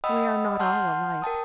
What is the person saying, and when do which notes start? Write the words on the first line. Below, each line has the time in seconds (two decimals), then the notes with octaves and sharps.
We are not all alike.
0.04 D#5 F#5 G5 B5 D#6 E6
0.59 F#5 A5 C6 F6 G6
1.22 A#4 G5 A5 D#6